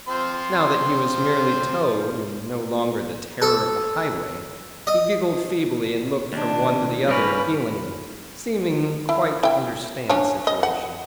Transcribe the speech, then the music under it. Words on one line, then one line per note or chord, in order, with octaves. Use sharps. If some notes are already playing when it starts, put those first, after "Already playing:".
Now that he was merely Toad, and no longer the Terror of the Highway, he giggled feebly and looked from one to the other appealingly, seeming quite to understand the situation.
F3 C4 C6
A4
D#5
D#2 D4
G2 G3 C#4 A#4 B4
E4
E4 G5
C#4 D4 C#5
D#5
F#5